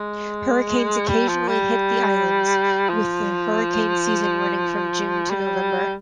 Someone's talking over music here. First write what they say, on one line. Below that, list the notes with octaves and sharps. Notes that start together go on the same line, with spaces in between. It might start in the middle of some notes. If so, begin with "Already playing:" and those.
Hurricanes occasionally hit the islands, with the hurricane season running from June to November.
Already playing: G#3
G3
F3
G3
F3
G3